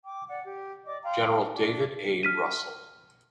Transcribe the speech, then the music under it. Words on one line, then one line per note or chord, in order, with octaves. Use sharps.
General David A. Russell.
G5 D6
D5 F#5
G4
D5 D#5 D6
F5 G5 A#5 C6
D4
F6 B6 D#7